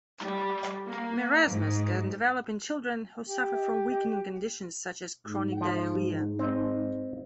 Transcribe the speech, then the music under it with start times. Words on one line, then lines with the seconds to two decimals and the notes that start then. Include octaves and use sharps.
Marasmus can develop in children who suffer from weakening conditions such as chronic diarrhea.
0.21 G3
0.88 A#3
1.46 G#2
3.27 G4
5.26 G#2
5.61 F3
6.39 C4 D#5